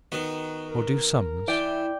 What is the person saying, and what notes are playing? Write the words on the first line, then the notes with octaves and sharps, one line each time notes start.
"Nor do sums?"
D#3 B3 F#4
A#4
E3 E4 D5 G5